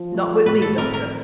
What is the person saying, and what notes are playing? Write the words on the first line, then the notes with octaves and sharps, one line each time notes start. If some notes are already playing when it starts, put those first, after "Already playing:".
'Not with me, Doctor.
Already playing: F3
A3
A2 B4
A4
C4 A#4
A#4